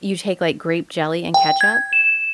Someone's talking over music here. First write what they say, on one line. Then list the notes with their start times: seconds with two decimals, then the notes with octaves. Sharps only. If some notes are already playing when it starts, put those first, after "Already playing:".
you take, like, grape jelly and ketchup
1.34 G5
1.61 G#6
1.93 E7